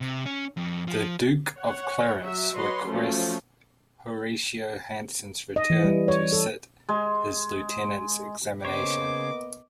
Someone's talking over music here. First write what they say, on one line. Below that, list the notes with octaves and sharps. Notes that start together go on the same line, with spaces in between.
The Duke of Clarence requests Horatio Hanson's return to sit his lieutenant's examination.
C3
C#4
F2
F3
C#5 F#5
F#3 E5
F#3 B4 C#5 D#5 C6
F3 F#3 A3 C#4
D#5
E3
G3
C#5
A4
G#3
C#3 A#3 B3 C5 C#5 D#5 D6